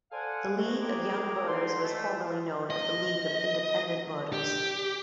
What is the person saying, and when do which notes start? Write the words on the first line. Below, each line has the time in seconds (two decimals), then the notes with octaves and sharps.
The League of Young Voters was formerly known as the League of Independent Voters.
0.12 A4 C5 D5 F5 F#5 G#5
0.58 G#2 D#3 G#3 A3 F#4
0.80 C2 C4 G#4 A#5 D6
1.47 B2 D3 D#4 C6
1.83 G#2 B2 F3 F#3 A3
2.70 D#5
4.33 G4